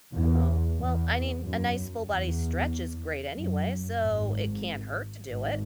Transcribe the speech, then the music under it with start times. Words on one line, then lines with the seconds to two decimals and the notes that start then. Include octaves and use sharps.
Oh, well, I mean, a nice full body stretch is great anyway, so it can't hurt to do it.
0.14 E2
0.78 E2
1.42 F#2
2.08 E2
3.37 F#2
4.00 G#1 G#2
5.29 G#1 G#2